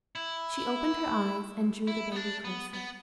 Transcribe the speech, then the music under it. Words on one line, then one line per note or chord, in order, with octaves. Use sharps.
She opened her eyes and drew the baby closer.
E4
E4
B3
D4
B3
B3